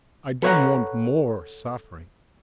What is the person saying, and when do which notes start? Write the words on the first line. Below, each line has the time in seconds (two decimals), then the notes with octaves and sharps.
I don't want more suffering.
0.42 A4 B4 C#5 D#5 F#5 A#5